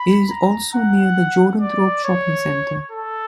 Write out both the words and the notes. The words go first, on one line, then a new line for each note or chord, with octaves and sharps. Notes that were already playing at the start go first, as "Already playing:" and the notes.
It is also near the Jordanthorpe Shopping Centre.
Already playing: B5
A#5
F#5
D5
C#5
A4